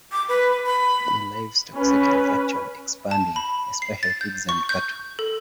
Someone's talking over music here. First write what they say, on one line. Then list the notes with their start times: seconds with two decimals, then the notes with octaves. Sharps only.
The livestock sector is actually expanding, especially pigs and cattle.
0.12 D6
0.29 B4
0.66 B5
1.74 C#4 B4
3.11 A5
3.36 B5
3.82 C7
4.03 A6
4.21 G6
4.49 C#6
4.69 G6
5.19 A4